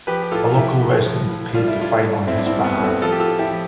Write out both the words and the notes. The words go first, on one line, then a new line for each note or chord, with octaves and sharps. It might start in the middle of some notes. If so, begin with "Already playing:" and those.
A local resident paid the fine in his behalf.
F3 G4 B4
G4
A2 F4 A4
F4
F3 E4 G4
A2
F3
A2
G3 F4
E4
A2 D4 F4
G3
A2 C4 E4
D4
C4 E4
G3
B3
A2
A3 C4
F3 F4 A4
G4
F4 A4
A2
E4 G4
F3